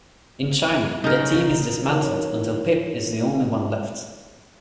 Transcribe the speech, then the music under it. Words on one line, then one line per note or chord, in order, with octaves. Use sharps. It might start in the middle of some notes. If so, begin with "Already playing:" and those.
In China, the team is dismantled until Pip is the only one left.
C#3 D#4 A#4
E3 D#4 F#4 A#4 C#5